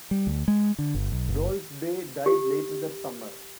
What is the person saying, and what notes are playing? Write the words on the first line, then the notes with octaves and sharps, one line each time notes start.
Rolf Bae died later that summer.
G3
D2
G#3
D3
G1
B1
F#1
G4